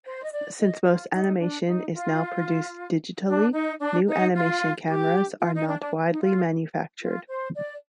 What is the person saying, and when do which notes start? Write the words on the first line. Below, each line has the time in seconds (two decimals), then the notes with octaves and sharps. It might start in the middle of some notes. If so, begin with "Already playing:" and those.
Since most animation is now produced digitally, new animation cameras are not widely manufactured.
0.05 C5
0.22 D#5
0.31 D5
0.58 D#5
0.86 F4
1.12 D#4
1.39 D4
1.66 D#4
1.93 F4
3.27 D4
3.54 D#4
3.79 D4
4.07 D#4
4.34 F4
4.87 G4
5.40 F4
5.54 D#4
5.68 D4
5.81 D4
6.11 D#4
6.22 F4
7.01 F4
7.28 C5
7.55 D5